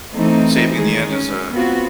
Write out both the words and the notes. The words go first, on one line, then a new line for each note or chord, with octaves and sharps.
saving in the end is a
E3 A3 C4 D#4
D#3 G#3 G#4
C#4
B3 C4 F4 F#4